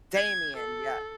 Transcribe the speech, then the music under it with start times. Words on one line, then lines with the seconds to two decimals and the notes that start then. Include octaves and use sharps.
Damien. Yep.
0.15 G#6
0.57 A4